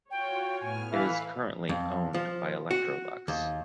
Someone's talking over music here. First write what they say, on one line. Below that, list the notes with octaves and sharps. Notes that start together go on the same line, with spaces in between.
It is currently owned by Electrolux.
F4 F#4 C#5 G5
A2 B3 G#5 F6
E3 A4 B4 E5 F5 B5
F2
F3
F#4
D#2